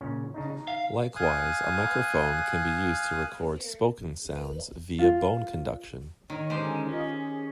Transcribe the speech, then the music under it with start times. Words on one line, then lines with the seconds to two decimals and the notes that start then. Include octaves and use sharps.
Likewise, a microphone can be used to record spoken sounds via bone conduction.
0.01 A#2 C#3 C#4
0.34 C#3 D4 D#4
0.50 D#4
0.68 F5
1.16 F5 G#5 D#6 F#6
4.99 F4
6.30 D#3 C#5
6.50 D3 G#3 C#4 D#4 G4 C5
6.89 C#4 F4 A#4 D#5
7.03 G#4